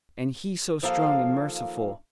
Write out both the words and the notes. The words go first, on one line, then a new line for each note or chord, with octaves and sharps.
And He so strong and merciful.
D#2 F3 A#3 A4 F5